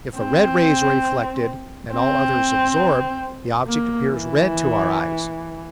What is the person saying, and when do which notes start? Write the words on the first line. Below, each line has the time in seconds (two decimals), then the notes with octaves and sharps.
If the red rays are reflected and all others absorbed, the object appears red to our eyes.
0.19 C4
1.93 C4
3.67 A#3
4.10 E3